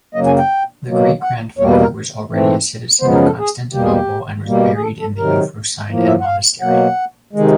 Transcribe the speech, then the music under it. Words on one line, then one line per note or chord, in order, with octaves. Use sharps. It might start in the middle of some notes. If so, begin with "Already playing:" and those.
The great grandfather was already a citizen of Constantinople and was buried in the Euphrosyne monastery.
F#2 C#3 F#3 A#3 D#5
G#5
G5
B2 F#3 A#3
F#5
E2 B2 G3 A#3 C#5
B4
A#4
G#2 E3 A3 C4
F#2 C#3 F3 G#3 B3 C5
A#4
A4
G#4
E2 B2 G3 A#3 G4
G#4
G4
B2 G3 A#3
G#4
A4
A4
C3 D#3 F#3 A#4
A2 F3 A#3
E5
F#5
F5
B2 F#3 A#3 F#5
C3 D#3 G#3